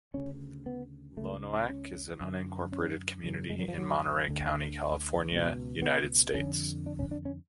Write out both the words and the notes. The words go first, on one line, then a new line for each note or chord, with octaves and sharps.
Lonoak is an unincorporated community in Monterey County, California, United States.
D2 C#3 C#4
B3
C#2 C#3 A3
C#4
F#2 D3
C#4
F#2 C#3
G#3
F#3
F3
F#3
D2 D3
C#2 B2
B3
F2 D3 C#4
D4
C#4
D4
C#4